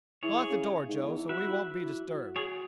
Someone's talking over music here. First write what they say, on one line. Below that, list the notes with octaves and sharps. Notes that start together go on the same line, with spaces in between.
Lock the door, Joe, so we won't be disturbed.
E3 G#4 C#5
C#3
G#2
E2
E3
F#3 B4 E5
E3
F#3
G#4 C#5